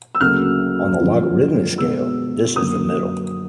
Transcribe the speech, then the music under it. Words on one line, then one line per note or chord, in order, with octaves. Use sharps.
On the logarithmic scale, this is the middle.
E6
D2 C#3 F#3 A#3 F6
F#2 D3 F3 A#3
B2 G#3 B3 E6
F#2 D3 F#3 A#3 D#6